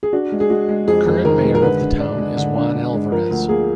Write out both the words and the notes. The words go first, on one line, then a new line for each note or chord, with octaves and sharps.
Current mayor of the town is Juan Alvarez.
G#4
D4 F#4
G#3
G#4
G#3 F#4
G#3
F2 G#4
F2
D#3 A#4
G#3
A#4
D3 B4
D3
D4
G#3
D3
D4
D3
G#3
F3 A#4
D2
A#3 G#4